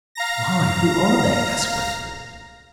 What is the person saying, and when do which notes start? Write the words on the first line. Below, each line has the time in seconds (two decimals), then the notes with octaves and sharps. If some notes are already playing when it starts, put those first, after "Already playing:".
"Why, who are they?" asked Gwendolen.
0.15 F5 A#5 A#6